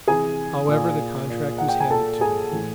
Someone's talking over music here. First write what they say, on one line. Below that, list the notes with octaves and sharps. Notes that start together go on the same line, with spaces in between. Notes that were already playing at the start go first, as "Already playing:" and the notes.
However, the contract was handed to me.
C3 E3 G#4 G#5
A#2
A#2
F#5
G5
G#5
A#2 A4 A5
G#4 G#5
A2 E3